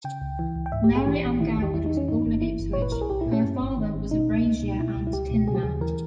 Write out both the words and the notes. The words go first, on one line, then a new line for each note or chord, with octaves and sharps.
Mary Ann Goward was born at Ipswich, her father was a brazier and tinman.
C#3 G5
C#2
E3
C#2
G5
G#2 E5
G4
A#1
G#4
E3 G4
A#1
D#3 E4
E2 G4
E2 E4
D#4
D#3
C#4
G2 D#4
G1
E3 E4
G1
A#2 C#5
B4
B1 A#4
G#4
B1 G4
E4
A#2
C#4
G2
G#1
D#3
G#1
B2 D#4
C#2
C#2
B2
B2 E4
C#2
E4
C#2 G4
B2
C#3 G#4
G4
D#2 G#4
E3 A#4